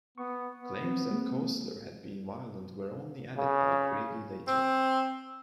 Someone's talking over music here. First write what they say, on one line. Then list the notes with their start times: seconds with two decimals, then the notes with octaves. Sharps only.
Claims that Koestler had been violent were only added by Craigie later.
0.18 B3 C#6
0.58 B3
0.84 E3 C4
1.11 G#3 A#3 C4
3.37 C#3
4.48 C4